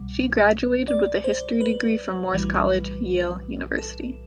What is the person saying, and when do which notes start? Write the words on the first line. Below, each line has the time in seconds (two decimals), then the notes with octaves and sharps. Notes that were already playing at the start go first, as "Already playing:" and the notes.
She graduated with a history degree from Morse College, Yale University.
Already playing: C2 B2 G3
0.88 D5
1.24 C5
1.61 B4
2.33 B1 A2 E3 G3
3.78 A4